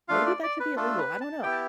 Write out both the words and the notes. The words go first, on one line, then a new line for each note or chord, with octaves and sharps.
maybe that should be illegal, I don't know,
A3 D4 F4 F5
D5
D5
B4
A3 D4 F4 A4
B4
A5
B3 E4 G4 G5
A5